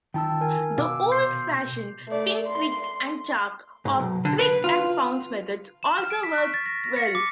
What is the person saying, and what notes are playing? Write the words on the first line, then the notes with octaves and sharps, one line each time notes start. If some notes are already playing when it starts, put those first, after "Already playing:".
The old-fashioned "pinprick and chalk" or "prick and pounce" methods also work well.
D#3 F4 G5 A5 E6
A#4 G#5
B2 F5 D6 E6
C6 G6 C7
A3 D5
C6
G#2
B1
D3
B4
F4
E7
F6
D7
B6
C#6
A6
A#6
A#6
C#7
D6